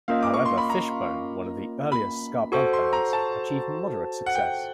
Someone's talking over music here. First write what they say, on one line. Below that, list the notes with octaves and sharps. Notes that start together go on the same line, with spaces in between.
However, Fishbone, one of the earliest ska punk bands, achieved moderate success.
A#3 C#4 F4 A#4 D#5 F5
D6
C#6
C6
B5
A#5
B5
F#4 A4 C5 C#6
C6
A#5
A5
F#5
G5